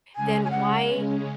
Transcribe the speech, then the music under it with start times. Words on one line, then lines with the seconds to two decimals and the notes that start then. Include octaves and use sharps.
then why
0.16 C#3 G#3 C#4 G#5
0.44 G#5
0.51 F#5